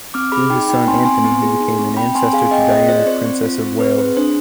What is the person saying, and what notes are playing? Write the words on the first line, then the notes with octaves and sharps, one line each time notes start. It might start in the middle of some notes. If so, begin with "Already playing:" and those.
Through his son Anthony, he became an ancestor to Diana, Princess of Wales.
C4 D6 F6
G#4 B5 D6
D#4 G5 B5
D#4 G5 B5
C4 G#5 C6
C4 G#5 C6
B3
G#4
D#4
C4
C4 G5 B5
C4 G#5 C6
G#4 F5 G#5
C4 D#5 G5
G#4 C5 D#5
F4 C5
D5
C4 C5
C4
F4
C4
C4 B4
G#4 C5
D4 C5